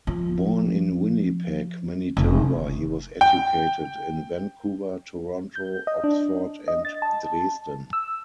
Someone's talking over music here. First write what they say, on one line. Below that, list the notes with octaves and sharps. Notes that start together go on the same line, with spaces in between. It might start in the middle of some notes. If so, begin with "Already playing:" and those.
Born in Winnipeg, Manitoba, he was educated in Vancouver, Toronto, Oxford and Dresden.
F3
F1
G5
G6
D#5
D4
D#5
A6
A5
E6